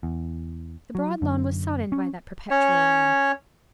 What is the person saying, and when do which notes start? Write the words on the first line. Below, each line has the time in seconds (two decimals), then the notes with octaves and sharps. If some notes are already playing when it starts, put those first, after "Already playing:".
The broad lawn was soddened by that perpetual rain.
0.03 E2
0.95 F#3
1.22 F#2 D3
1.92 C#4
2.51 C#4 C#5